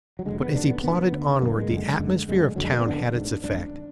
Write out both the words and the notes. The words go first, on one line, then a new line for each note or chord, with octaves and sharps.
But as he plodded onward the atmosphere of town had its effect.
F#3
F1 D#2 D3 G#3
B3
F1 D#2 D3 D4
B3
D2 D3 B3
D2 D3
F#1 F#2 D3 A#3
G#3
F#1 F#2 D3
F#1 F#2 D3
F#1 F#2 D3 G#3
F#1 F2 D3 F#3
G#3
A#3
B3
F#1 F2 D3 D4
G#1 G#2
G#2 D4
G#1